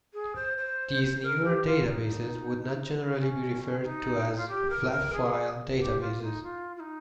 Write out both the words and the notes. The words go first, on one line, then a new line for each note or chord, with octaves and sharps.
These newer databases would not generally be referred to as flat-file databases.
G#4
C5
C5
A#4
G4
F4
D#4
C#4
D#4
F4
G4
A#4
A#4
G#4
G4
F4
D#4
F4
F4
D#4